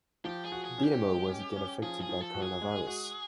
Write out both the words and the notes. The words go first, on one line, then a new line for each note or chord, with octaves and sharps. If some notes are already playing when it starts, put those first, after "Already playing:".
Dinamo was again affected by coronavirus.
F3 G4
G#4
F#4
G#4
C#4
G4
G#3
C#4
C#4
F3 G#4
G#4
F3
A4
F#4
G#4
G#3
F#4